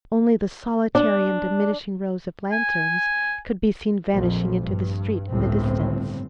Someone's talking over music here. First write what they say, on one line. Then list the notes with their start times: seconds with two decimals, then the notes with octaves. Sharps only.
Only the solitary and diminishing rows of lanterns could be seen vanishing into the street in the distance.
0.95 D4
2.52 G#5
4.15 A#1 F2
4.62 G2
5.29 G1 C#2 A2 C4